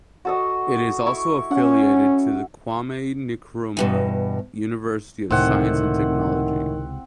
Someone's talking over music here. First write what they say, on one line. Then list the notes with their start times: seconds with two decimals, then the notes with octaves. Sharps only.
It is also affiliated to the Kwame Nkrumah University of Science and Technology.
0.25 F#4 A4 D#5
1.06 E4 C#6
1.51 C#4 F#5
3.77 E2 G2 B2
5.31 C#2 A2 C3 D#3 C4 F#5